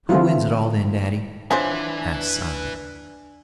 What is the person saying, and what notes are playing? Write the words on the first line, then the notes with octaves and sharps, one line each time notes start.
"Who wins it all, then, daddy?" asked Simon.
D3 E3 A3 C4 E4 F4
F#3 D4 F4 B4 C5 E5 G#5